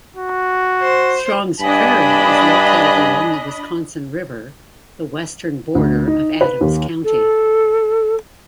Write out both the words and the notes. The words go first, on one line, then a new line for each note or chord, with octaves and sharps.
Strongs Prairie is located along the Wisconsin River, the western border of Adams County.
F#4
C5
G2 D4 D#5 G#5 B5
D2
D#4
B4
D#2
A4